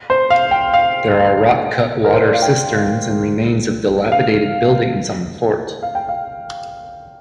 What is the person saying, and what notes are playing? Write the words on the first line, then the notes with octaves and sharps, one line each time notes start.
There are rock cut water cisterns and remains of dilapidated buildings on the fort.
C5
F5
G5
F5
A#4
C5
D5
F5
G5
F5
F5
G5
F5